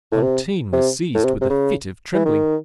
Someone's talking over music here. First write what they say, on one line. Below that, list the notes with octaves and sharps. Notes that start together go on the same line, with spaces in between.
Fantine was seized with a fit of trembling.
A2
C3
C3
A2
C3
C3
C#3
E3
D#3